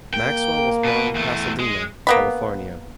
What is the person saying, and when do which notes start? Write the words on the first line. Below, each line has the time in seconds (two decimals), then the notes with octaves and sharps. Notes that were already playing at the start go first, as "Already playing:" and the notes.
Maxwell was born in Pasadena, California.
0.14 A#3 G5
0.84 B2 B4
1.15 E2 A3
1.59 G#3
2.07 A#3 B3 B5